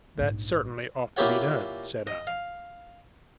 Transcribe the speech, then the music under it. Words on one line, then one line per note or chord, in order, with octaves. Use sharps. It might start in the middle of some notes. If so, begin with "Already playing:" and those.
"That certainly ought to be done," said I.
A#1 G#2
A#2 A#3 E4 G4 C#5 F#5
D#5
F5